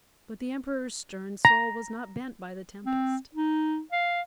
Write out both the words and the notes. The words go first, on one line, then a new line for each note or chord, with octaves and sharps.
But the Emperor's stern soul was not bent by the tempest.
A#5
C4
D#4
F5